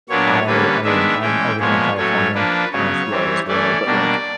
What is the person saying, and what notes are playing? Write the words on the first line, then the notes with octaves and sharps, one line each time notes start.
I I mean, I'm over here in California- I don't know if you are as well, but, like,
A#2 F#3 B3 D4 C#5
D3 G3 A#3 C#4 B4
D#3 G#3 B3 D4 E5
E3 G#3 C#4 G5
A#2 F3 G#3 B3 C#5
A2 F#3 A3 C#4 C#5
F3 A#3 D4 B4
C#3 F#3 B3 C#5
E3 G3 C4
E3 A3 C#4 D5
B2 G3 A#3 D4